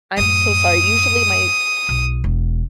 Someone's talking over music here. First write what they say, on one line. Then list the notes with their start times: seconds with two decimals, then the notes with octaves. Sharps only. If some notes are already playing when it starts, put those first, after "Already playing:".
I'm so sorry, usually my
0.17 F#2 A2 D#6
1.89 B1
2.24 E1